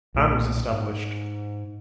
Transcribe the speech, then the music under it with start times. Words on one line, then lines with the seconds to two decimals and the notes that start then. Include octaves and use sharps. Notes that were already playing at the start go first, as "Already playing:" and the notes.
Anne was established.
0.14 B1 A#2 A3
0.72 G#2